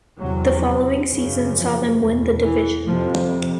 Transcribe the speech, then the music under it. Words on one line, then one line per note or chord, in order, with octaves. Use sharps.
The following season saw them win the division.
E2 C3 F#3
F#2 C#3
F3
E2 B2
E3
F2 C3 F3